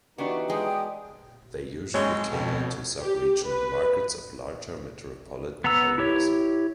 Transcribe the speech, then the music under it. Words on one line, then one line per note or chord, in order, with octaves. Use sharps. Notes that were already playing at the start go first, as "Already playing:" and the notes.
They usually cater to sub-regional markets of larger metropolitan areas.
E3 B3 D4 D#4 F#4 G4
G#3 G5 D#6
G#1 G#3 C#5
F2 B2
G4
B4
B3 F#5 A#5 E6
E4 G4 C#5